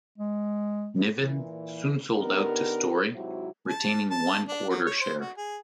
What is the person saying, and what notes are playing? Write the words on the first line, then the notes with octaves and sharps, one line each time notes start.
Niven soon sold out to Storey, retaining one quarter share.
G#3
A#2 E3
D3 B3 D#4 G4 A#4
G#2 C3 F#3 C4 E4 F#4
A5
A5
D4
F#3
C#5
C5
F#4
G#4